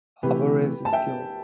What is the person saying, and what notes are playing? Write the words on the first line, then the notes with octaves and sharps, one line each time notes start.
Alvarez is killed.
C3 E3 A3 G4 B4
A5
E5 G5